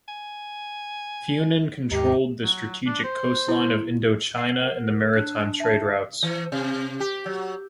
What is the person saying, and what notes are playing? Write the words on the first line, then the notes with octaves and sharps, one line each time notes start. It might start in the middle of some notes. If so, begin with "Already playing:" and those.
Funan controlled the strategic coastline of Indochina and the maritime trade routes.
G#5
D#2 G#2 D#4 G4
F#3
D4
C5
E4
F#5 C7
A#4
D4 F#6
E5 A5
E3
C3
G4
F#3